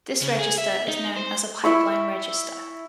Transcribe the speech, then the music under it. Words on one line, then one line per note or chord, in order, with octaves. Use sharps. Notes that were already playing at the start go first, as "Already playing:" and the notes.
This register is known as a pipeline register.
C#3
G#4
E5
D#4
C5
E4 E5 C#6